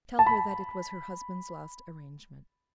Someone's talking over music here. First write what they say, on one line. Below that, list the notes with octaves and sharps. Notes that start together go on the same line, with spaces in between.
Tell her that it was her husband's last arrangement.
A5
B5